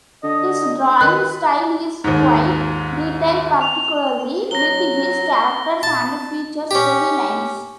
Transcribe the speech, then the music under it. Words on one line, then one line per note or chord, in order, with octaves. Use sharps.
His drawing style is quite detailed, particularly with his characters, and features heavy lines.
D3 D#5
D#3 B4 F#6
D#2 G#2
F7
F#3 A#6 G7
A5
C#4 G4